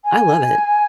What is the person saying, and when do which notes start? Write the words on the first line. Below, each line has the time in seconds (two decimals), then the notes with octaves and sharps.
I love it.
0.05 G#5